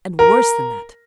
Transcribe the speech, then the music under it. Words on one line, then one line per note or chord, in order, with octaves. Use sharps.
And worse than that!
A#4